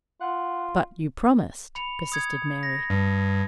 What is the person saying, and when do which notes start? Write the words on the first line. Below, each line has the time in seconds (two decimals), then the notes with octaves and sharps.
"But you promised," persisted Mary.
0.21 F4 F#5
1.75 B5 C#7 F7
2.12 D#6 G#6 C#7
2.63 A#6
2.90 G2